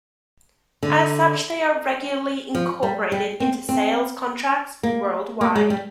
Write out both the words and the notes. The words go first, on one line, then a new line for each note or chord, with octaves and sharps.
As such they are regularly incorporated into sales contracts worldwide.
D3
F3
G3
G3
C4
C4
A#3
A#3
G#3
G3